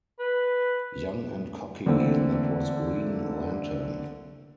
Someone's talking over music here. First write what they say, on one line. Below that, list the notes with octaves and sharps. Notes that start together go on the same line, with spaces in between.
Young and cocky, that was Green Lantern.
B4
D3 E3 A3 A#3 C4